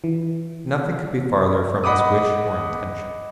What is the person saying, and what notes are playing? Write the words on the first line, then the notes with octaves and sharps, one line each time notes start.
Nothing could be farther from his wish or intention.
E3
D#5 F#5 B5 D6 D#6